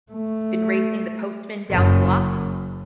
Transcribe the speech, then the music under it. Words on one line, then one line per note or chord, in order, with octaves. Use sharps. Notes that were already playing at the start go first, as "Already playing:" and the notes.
Been racing the postman down the block?
A3
F#1 F#2